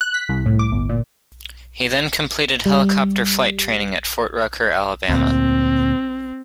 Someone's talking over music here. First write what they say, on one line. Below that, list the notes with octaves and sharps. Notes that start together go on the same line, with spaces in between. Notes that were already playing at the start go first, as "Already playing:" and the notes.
He then completed helicopter flight training at Fort Rucker, Alabama.
F#6
B6
C2
A2
D6
G1
A#2
G3
D2 A#2 C4